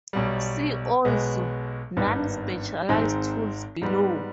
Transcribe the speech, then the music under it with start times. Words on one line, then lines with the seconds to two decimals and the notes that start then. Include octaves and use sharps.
See also "non-specialised tools" below.
0.13 B1 B2 G3
1.05 B1 B2 G#3 B3
1.97 G#1 G2 D#3 B3
2.89 G#1 G#2 D#3 G#3 C4
3.81 G#2 G3 B3